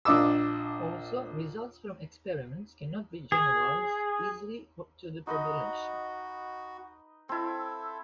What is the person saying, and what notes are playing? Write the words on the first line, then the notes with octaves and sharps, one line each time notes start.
Also, results from experiments cannot be generalized easily to the population.
A#1 D4 D#5 D6 E6
G#4
D#4 F#4 B4 D#5
C4 E4 A4